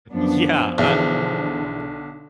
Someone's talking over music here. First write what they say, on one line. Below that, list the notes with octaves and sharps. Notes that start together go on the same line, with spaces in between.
Yeah, I
F#2 F3 B3 D4
B1 E2 D3